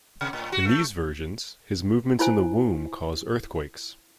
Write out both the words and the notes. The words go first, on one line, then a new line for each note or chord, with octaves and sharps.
In these versions, his movements in the womb cause earthquakes.
C3
A2
F#4
A3
E4 F4 C5 G#5